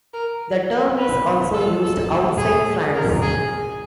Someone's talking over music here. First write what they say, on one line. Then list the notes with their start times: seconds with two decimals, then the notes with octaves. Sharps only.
The term is also used outside France.
0.13 A#4
0.98 B4
1.53 A4
1.82 A4
2.38 G#4
2.95 A#4
3.22 G#4